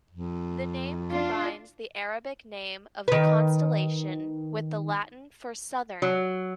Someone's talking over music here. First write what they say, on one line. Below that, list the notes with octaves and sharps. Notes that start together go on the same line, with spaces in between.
The name combines the Arabic name of the constellation with the Latin for "southern".
F2
D4 F4
D#3 B4
F#3